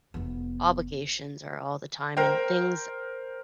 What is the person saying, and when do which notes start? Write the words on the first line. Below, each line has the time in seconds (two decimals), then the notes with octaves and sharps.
Obligations are all the time, and things
0.14 F1 B3
2.17 A#4 C5 G5